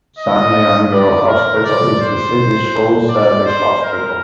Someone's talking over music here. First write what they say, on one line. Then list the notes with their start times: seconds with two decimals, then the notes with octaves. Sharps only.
San Leandro Hospital is the city's full service hospital.
0.19 D#5
0.92 D5
1.27 A#4
1.64 D5
2.00 C5
3.09 D5
3.46 C5
3.82 A#4